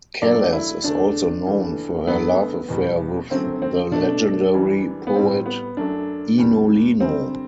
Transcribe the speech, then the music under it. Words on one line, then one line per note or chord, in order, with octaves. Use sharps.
Kallas is also known for her love affair with the legendary poet Eino Leino.
G2 F#3 A3 D5
E4
E2 D3 A3 D4
G2 E3 A3
G2 F#3 A3 B3
E2 B2 G3
F#2 D3 F#3 A3 C4
C4
B2 A3 D4
F#2 E3 G3
B3
A2 G3 C4
B3
F#2 F#3 A3 D4
E2 C3 G3
F#2 D3 G3 C4